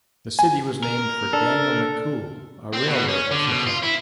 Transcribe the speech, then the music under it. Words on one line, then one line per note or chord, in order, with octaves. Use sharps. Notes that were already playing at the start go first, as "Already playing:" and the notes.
The city was named for Daniel McCool, a railroad official.
G#5
A#4
D4 A4
C4
B2
C#4
D3
B2
F4
E4